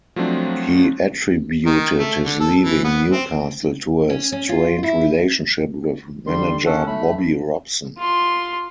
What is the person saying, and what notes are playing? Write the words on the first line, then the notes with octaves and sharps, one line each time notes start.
He attributed his leaving Newcastle to a "strained relationship" with manager Bobby Robson.
F3 F#3 A3 C4 D4
D#3
A3
D3
A4
E3
B3
C4
C#4
C#4
F4
E4
D3 G3 C6
C#4 A4 F#5
B1 A3 B5
F4 C6